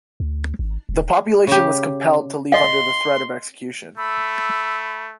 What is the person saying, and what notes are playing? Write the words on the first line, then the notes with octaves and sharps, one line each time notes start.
The population was compelled to leave under the threat of execution.
D2
G#1
D#1
C#3 G4
D#5 F5 C6
A3 B5 E6